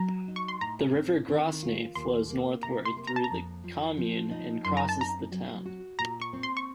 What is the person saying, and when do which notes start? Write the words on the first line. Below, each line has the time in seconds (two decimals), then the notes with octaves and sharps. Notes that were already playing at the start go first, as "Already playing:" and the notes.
The river Grosne flows northward through the commune and crosses the town.
Already playing: F#3 A#5
0.28 D#4
0.36 C#6
0.48 C6
0.61 A2 A#5
0.95 C4
1.28 D#3
1.63 F4
1.95 D#2 C6
2.30 A#3
2.63 C3 A#5
2.85 C6
2.97 A#3
3.07 A#5
3.16 A5
3.24 A#5
3.31 F2
3.64 F3
3.97 F3
4.31 D#4
4.65 F#2 C6
4.77 A#5
4.89 A5
4.98 C4 A#5
5.31 F#3
5.65 F#4
5.99 A#2 A#5
6.22 C#6
6.33 C4
6.43 C6
6.57 C#6